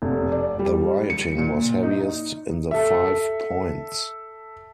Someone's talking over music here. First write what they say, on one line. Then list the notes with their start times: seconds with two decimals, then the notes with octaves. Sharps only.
The rioting was heaviest in the Five Points.
0.02 F1
0.32 D5
0.59 G3
1.10 C#7
1.38 A#2
1.83 D#4
2.71 A4 E5